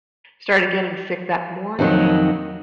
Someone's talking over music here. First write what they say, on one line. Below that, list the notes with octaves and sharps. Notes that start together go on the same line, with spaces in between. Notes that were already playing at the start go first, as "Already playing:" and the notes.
started getting sick that morning,
F2 D#3 F#3 D#4